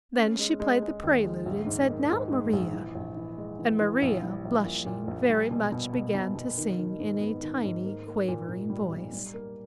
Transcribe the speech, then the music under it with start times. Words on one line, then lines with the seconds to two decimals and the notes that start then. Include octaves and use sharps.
Then she played the prelude and said "Now, Maria!" and Maria, blushing very much began to sing in a tiny quavering voice.
0.17 C#4
0.39 G#3
0.60 G#3
0.82 G#3
1.04 D#2
1.25 G#3
1.45 A#1
1.66 G#2
1.89 D#3
2.10 G#2
2.32 G#3
2.53 A#1
2.73 E3
2.95 A#1
3.16 E3
3.38 G#3
3.59 E3
3.80 E3
4.02 A#1
4.22 G3
4.45 A#1
4.65 A#2
4.86 A#2
5.07 A#1
5.30 G3
5.51 B2
5.72 B2
5.93 B2
6.14 B2
6.35 B2
6.57 D#3
6.79 D#3
7.00 G#2
7.21 B3
7.42 D#3
7.64 G#2
7.85 A#3
8.07 A#3
8.28 A#2
8.49 A#2
8.70 G3
8.91 B1
9.13 G3
9.34 A#3